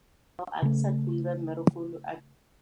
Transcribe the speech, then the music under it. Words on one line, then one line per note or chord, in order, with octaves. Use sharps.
They find him guilty of treason and sentence him to death.
C#3 A3